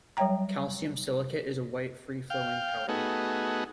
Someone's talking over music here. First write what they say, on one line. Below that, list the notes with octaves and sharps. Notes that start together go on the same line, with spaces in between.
Calcium silicate is a white free-flowing powder.
F#3 G3 C#5 E5 G5 A#5
F5 G5
A3 B3 D#4 F#4 G#4